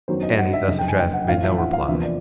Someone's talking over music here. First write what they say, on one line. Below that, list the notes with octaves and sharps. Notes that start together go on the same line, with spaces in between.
Annie, thus addressed, made no reply.
F#2 D#3 F#3 B3 D4 C5
D#5
F#5
E5
F#1 F2 C3 D#5
G5
G#5
G5
F#5
A1 A2 F3 F5
E5
F#5
F5
E2 C3 F3 A#3 E5
D5